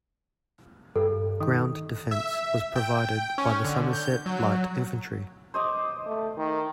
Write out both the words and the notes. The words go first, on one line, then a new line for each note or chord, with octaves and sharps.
Ground defence was provided by the Somerset Light Infantry.
G2 A4
D#3 D#6
E5
G5
C#4
D3
G6
F#3
C5 D#5 D6
A3
D#3